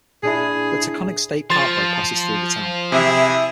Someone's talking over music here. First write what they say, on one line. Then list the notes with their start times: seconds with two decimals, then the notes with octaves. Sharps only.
The Taconic State Parkway passes through the town.
0.23 A#2 D4 E4 G#4
1.50 F3 C6 A6
2.92 C3 E4 G#4 E5